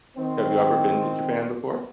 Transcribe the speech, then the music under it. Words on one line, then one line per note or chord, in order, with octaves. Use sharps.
Have you ever been to Japan before?
D#3 C4